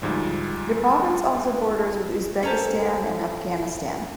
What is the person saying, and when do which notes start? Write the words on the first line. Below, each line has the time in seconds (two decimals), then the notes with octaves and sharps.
The province also borders with Uzbekistan and Afghanistan.
0.02 D2 G#2 F3 G3
2.43 C#4 A4 C5 A#5 C#7